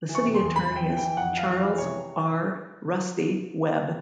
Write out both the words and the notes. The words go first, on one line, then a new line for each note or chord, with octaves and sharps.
The City Attorney is Charles R. "Rusty" Webb.
E3
C#6
C3
C6
E2
E3 B5
E2
G5
E3
E3 G5
F2 F#5
E3
F5
F2
F5
E3
C3 C#5